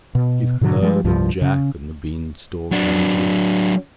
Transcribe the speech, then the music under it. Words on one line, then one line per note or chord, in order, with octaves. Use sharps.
"You've heard of 'Jack and the Bean-stalk,' haven't you?"
B2
G#2 B2 D3 F#3
F3 G3 G#3
C2 G2 F3
C#3
F#3 D4